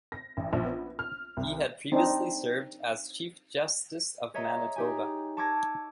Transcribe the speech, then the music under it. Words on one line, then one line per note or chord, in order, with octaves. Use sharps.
He had previously served as Chief Justice of Manitoba.
A#6
A1
A#1
B3
F6
C2
C4 D4 D#4
G#4 C#5 D#5 E5 A#5
D#4 G4 G#5
A5 C#6 D6 E6 G#6 A#6